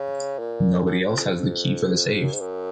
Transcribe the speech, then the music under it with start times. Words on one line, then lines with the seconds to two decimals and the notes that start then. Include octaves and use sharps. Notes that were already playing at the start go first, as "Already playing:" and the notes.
Nobody else has the key for the safe.
Already playing: C#3
0.39 A#2
0.86 F#2
1.09 F2
1.20 F2
2.24 F#2
2.33 G#2
2.40 F#2